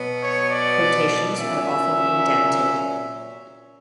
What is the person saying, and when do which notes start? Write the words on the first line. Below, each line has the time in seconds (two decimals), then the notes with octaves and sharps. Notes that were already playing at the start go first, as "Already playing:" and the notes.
Quotations are often indented.
Already playing: B2 F#3 B3
0.20 C#5
0.49 D5
1.38 A#2 F#3 C#4 E5